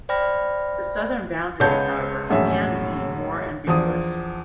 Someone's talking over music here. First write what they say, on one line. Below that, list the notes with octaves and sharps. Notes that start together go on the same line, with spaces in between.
The southern boundary, however, can be more ambiguous.
C5 D5 G5 B5 F6 A#6
C#2 G#3 B3 C#5 A5 G6
E1 A#1 F#2 A2 G#4 E5
E2 F3 D4 D#6